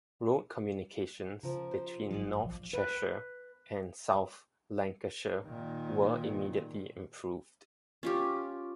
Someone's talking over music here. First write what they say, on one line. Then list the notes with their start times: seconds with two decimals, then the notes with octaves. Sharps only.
Road communications between north Cheshire and south Lancashire were immediately improved.
1.43 C#3 F3 A#4
1.71 C5
2.11 G1 F#3 D5 D#5 F5
2.44 A#1 F3
2.73 B4
5.46 A#2 D#3
8.03 C#4 F4 G4